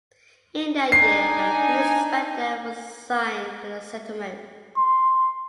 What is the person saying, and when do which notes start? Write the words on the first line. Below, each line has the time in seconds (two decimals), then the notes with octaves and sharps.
In that year a police inspector was assigned to the settlement.
0.92 D4 D#4 G#5 C7
4.77 C6